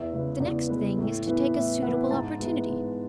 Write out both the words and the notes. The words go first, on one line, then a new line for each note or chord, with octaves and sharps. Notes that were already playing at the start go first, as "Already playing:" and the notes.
The next thing is to take a suitable opportunity.
Already playing: E2 E5
C#3 G#3 B3
E2 D5
C#3 G#3 B3 B4
A2 A4
E3 B3
A2 E5
E3 B3 F#5
G#2 A5
E3 G#3 B3
G#2